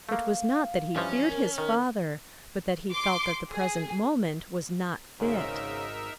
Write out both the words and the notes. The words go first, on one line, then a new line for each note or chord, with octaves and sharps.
It was not that he feared his father, but that he felt that the present moment was not fit.
A3 A#3 F5
G2 E3 F3 C#4
A#4
D#3 A#4
C6 D6
G#4
G#1 G#2 C#3 D#4 A#4 E5